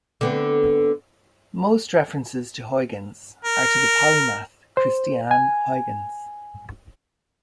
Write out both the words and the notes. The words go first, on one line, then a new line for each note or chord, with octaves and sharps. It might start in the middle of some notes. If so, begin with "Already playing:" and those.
Most references to "Huygens" are to the polymath Christiaan Huygens.
D3 B3 C4
A#4
C5
G#5